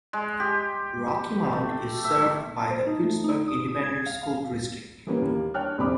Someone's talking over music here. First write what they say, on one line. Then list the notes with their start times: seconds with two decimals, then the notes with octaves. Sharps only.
Rocky Mound is served by the Pittsburg Independent School District.
0.13 G#3
0.40 G4
1.53 A3
2.04 E5
2.56 A5
2.70 C5
2.87 D#4
3.04 A3
3.24 D#4
3.48 D#6
3.68 D#6
3.83 G#6
4.06 F5
4.23 F5
5.07 E3 G3 A#3 B3 C#4
5.22 D#2 G3 A#3
5.54 D4 C#5 G5 F6 F#6
5.78 F1 C2 C4 B5 D6